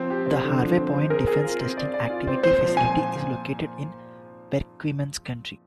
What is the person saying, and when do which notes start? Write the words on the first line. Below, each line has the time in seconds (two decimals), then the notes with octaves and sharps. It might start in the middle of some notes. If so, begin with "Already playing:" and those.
The Harvey Point Defense Testing Activity facility is located in Perquimans County.
Already playing: F3 C4
0.10 G4
0.26 C4
0.44 D3
0.60 F3
0.76 C4
0.93 C4
1.10 G#4 A#4
1.27 G#4
1.43 F4
1.60 C4
1.77 D5
1.94 D5
2.10 F4
2.27 C4
2.43 A#2 C5
2.61 F3
2.76 A#2 G#5